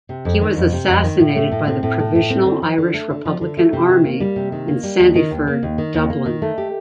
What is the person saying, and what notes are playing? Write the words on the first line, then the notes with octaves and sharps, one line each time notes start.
He was assassinated by the Provisional Irish Republican Army in Sandyford, Dublin.
C3
F2
D#3
F2
C3
F2
D#3
A2
A3
A2
C4
A2
A3
A2
C4
D3
F3
D3
A3
D3
F3
D3
A3
C3
D#3
A#3
G3
C3
D#3
A#3
G3
D#2
D#3
D#2
A#3
D#2
D#3
D#2
A#3
D#3
A3
G4